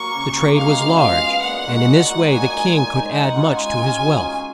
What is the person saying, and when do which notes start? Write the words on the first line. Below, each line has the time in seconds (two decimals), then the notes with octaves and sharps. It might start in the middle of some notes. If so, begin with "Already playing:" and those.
The trade was large, and in this way the king could add much to his wealth.
Already playing: F#3 A#3 C#6
0.14 C#3
0.36 F#3 A#3
0.57 G#3 F5
0.78 B3 F4 G#4
0.99 G#3 F5
1.21 B3 F4 G#4
1.42 A#2 F#5
1.64 G#3 D#4 F#4
1.85 A#2
2.07 G#3 D#4 F#4
2.28 A#2 G#5
2.49 G#3 D#4
2.71 A#2
2.92 G#3 D#4
3.13 G#3 F#5
3.35 C#4 F4
3.57 G#3 G#5
3.78 C#4 F4
3.99 F#3
4.21 C#4 F4 G#4